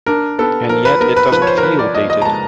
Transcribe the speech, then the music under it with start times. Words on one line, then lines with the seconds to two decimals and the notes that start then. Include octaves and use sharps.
And yet it doesn't feel dated.
0.06 D4 A#4
0.39 B3 A4
0.69 F3 A#4
0.85 B4
1.00 B3 A#4
1.16 B4
1.32 F3 B4
1.42 C#5
1.47 C5
1.58 A#4
1.63 F3 B4
1.79 D5
1.95 F3 D#5
2.10 D#5
2.22 A#5
2.25 G#3 A5